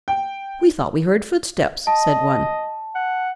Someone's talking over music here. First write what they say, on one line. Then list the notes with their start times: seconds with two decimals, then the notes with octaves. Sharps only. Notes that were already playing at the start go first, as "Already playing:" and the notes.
"We thought we heard footsteps," said one.
0.08 G5
1.87 D#5 A5
2.95 F#5